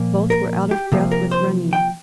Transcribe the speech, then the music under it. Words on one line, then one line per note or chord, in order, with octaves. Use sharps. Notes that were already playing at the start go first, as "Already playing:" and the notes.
Both were out of breath with running.
Already playing: A#2 F3 A#3
A#4
G4
C3 F3 A#3
A#4
C5
G5